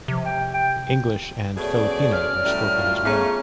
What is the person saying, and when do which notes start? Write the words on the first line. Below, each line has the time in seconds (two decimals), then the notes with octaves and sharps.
English and Filipino are spoken as well.
0.08 C3 F3
0.25 G5
0.53 G5
1.57 B2 A3 C#4 G#4 D5
2.12 F6
2.44 A2 F#3 G3
2.75 F4
3.05 A3 B3 C#4 G#4 A#5